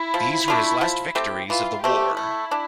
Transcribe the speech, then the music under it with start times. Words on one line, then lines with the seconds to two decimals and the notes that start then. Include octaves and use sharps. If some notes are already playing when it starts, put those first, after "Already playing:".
These were his last victories of the war.
Already playing: E4
0.14 F3
0.48 A3 D4 F4
0.81 F3
1.15 A3 C4 G4
1.50 E3 F4
1.83 A3 C4 G4
2.17 A3 E4
2.51 D4